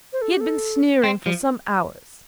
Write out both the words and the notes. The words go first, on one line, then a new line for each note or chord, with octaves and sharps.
He had been sneering for some hours.
C5
A4
G4
A4
C4
F3